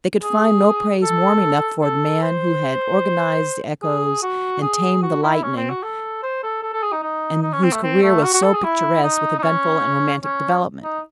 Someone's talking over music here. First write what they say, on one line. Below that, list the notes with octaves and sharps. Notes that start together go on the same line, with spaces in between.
They could find no praise warm enough for the man who had "organized the echoes" and "tamed the lightning," and whose career was so picturesque with eventful and romantic development.
G#4
A4
A4
C5
G#4
F#4
G#4
F#4
E4
C#4
C4
F#4
A4
C5
A4
A4
A4
G#4
D#4
D#4
D#4
C#4
C4
A3
C4
A3
F#4
F#4
A4
G#4
E4
D#4
D#4
C#4
C#4
D#4